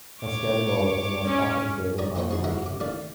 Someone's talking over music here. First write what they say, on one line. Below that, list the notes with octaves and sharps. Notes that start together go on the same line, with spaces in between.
A schedule is most often created by a manager.
C#5 D6
C#4
C#5 D5 G#5 A#5 D#6
E3 A#3 C5 G5 C#6
D#4 G#4 C6
D#4 E4 F#4 A#4 F#5 A#5
C3 D6
A1 D#3 A3 D5 F5